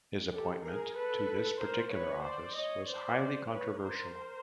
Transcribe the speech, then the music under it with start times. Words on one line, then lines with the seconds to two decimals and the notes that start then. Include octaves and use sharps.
His appointment to this particular office was highly controversial.
0.33 G4 A4
0.65 G#4 A#4
0.97 A4 B4
1.60 A#4 C5
1.93 B4 C#5
2.24 C5 D5
2.56 C#5 D#5
2.87 C5 D5
3.51 B4 C#5
3.83 A#4 C5